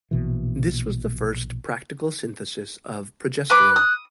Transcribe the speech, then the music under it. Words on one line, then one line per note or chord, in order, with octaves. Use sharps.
This was the first practical synthesis of progesterone.
A#1 B2 E3
B4 B5 D6 F#6
D#6